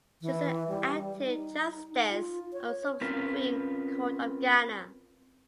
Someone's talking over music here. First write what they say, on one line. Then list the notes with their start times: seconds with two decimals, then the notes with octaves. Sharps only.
She is an active justice of the Supreme Court of Ghana.
0.22 E3
0.68 G3
1.25 D#4
2.10 F4
2.53 C#5
3.01 C4 C#4 F4 A#4 B4